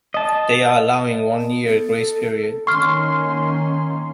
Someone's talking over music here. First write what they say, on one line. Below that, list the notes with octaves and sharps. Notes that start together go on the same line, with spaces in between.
They are allowing a one-year grace period.
D#5 A5
B3
A4
D#3 A#3 C#4 C6 C#6 F6